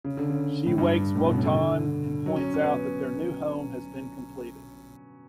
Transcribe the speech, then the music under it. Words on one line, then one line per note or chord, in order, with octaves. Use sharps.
She wakes Wotan and points out that their new home has been completed.
C#3
D3
C#3
A2
G2
A2
B2
C#3
D3
F#3
C#4
C#4
B3